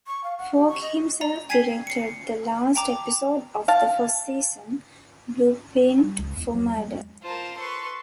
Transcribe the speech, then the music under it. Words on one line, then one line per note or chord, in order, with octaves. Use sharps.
Falk himself directed the last episode of the first season, "Blueprint for Murder".
C#6
F5
F#5
G4
C#6
D#5
D5 A#5
G5 G#5 G#6 B6 C7 D#7
C7 C#7
G5 A5 A#5 D6
F5 A5
G3
C#2
E2
F#3
G#3
F4 A#4 C5 A5
A4 B4 C6 C#6